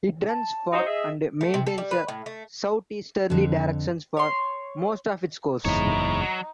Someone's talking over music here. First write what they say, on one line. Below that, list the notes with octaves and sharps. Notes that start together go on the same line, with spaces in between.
It runs for and maintains a south-easterly direction for most of its course.
A5
D#4 F#4 C5 D#5
G#4 E5
A3
C3
A4
G3
B4
A2
A3
F2 D3
C#5 C6
F#1 E2 G#2 D#4 E4 C#5
F#3